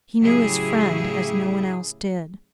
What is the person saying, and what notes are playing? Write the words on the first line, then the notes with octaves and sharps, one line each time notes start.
He knew his friend as no one else did.
A2 C#3 F#3 E4 G4 G#4